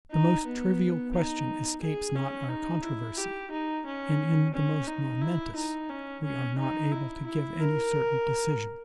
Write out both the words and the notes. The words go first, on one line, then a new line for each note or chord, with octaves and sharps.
The most trivial question escapes not our controversy, and in the most momentous we are not able to give any certain decision.
D#4
B3
D#4
G#4
C#4
D#4
E4
G4
D#4
C#4
C#4
D#4
E4
D#4
C#4
C#4
D#4
E4
E4
A#4